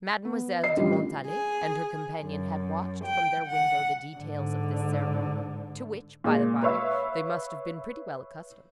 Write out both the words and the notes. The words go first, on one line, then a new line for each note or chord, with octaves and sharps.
Mademoiselle de Montalais and her companion had watched from their window the details of this ceremony, to which, by the bye, they must have been pretty well accustomed.
B3
D#5 C7
A1 D3 G3 F4
G#4
F#2
G5
F#5
G#2 D3
A#2 G#3
B4 C#5 E5 F5 C#6 E6